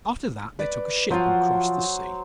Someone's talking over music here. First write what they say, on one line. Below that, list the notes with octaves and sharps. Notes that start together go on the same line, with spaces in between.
After that they took a ship and crossed the sea.
B4 D5
F3 F#3 F4 C5